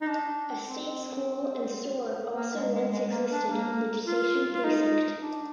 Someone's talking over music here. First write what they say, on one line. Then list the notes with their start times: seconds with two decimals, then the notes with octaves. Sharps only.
A state school and store also once existed in the station precinct.
0.02 D#4
0.07 D4
0.65 C4
2.35 A#3
2.54 G#3
2.75 G#3
2.93 G#3
3.12 A#3
3.31 D4
3.50 A#3
4.07 F4
4.54 F4
4.64 D#4
5.21 D4